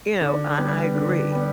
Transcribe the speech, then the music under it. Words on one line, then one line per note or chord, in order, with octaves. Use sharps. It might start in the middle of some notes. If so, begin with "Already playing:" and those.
you know, I I agree,
D3
G3 B3
D3
G3 B3